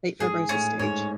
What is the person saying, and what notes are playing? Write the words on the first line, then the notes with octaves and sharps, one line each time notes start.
Late fibrosis stage.
G#2 G#3 G#4
A2 A3 C#4
G#2 G#3 C#5